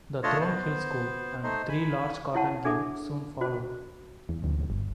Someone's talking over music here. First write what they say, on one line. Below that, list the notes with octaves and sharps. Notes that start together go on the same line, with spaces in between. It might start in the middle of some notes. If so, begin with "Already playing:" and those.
The Thorn Hill School and three large cotton gins soon followed.
A3 D4 F4 C#5 D#5 A5
B3 C5
A3 D#4 C5
G#5 B5
E4 C#5 F#5 A5
D4 G#4 A4 E5 D6
F#4 C5
E2
D2
G1